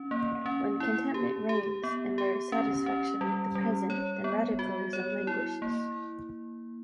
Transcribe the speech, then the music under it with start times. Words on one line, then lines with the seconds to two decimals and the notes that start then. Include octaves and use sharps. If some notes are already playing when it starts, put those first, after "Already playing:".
When contentment reigns, and there is satisfaction with the present, then radicalism languishes.
Already playing: C#4
0.11 A#3
0.46 C#4
0.80 E4
1.14 G4
1.49 G4
1.84 B3
2.18 G4
2.52 C#4
2.86 C#4
3.21 G3
3.55 G3
3.90 C#5
4.24 B3
4.59 F#4
4.93 C#5
5.27 E4
5.62 A#3